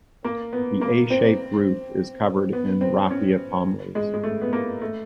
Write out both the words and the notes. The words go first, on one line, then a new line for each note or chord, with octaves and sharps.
The A-shaped roof is covered in raffia palm leaves.
A#3
B3
A#3
C4
B3
C4
C#4
G#3
G#3
A3
B3
A#3
A3